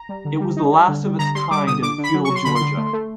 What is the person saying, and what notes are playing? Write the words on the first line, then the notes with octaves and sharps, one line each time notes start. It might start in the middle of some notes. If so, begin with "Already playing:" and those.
It was the last of its kind in feudal Georgia.
Already playing: A#5
G3
D3
G3
D#4
G3
D3
G3
D3 A#5
G3 C6
G3 D6
D3 D#6
D3 D6
D3
B5
F#3
C#6
F#3
C6
D3 B5
C6
D3
A3
A3